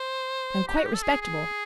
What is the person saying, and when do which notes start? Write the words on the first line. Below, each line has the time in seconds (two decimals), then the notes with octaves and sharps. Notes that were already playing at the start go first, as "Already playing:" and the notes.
"I am quite respectable."
Already playing: C5
0.68 G4
0.77 F#4
0.86 G4
0.94 A4
1.03 G#4
1.21 G#4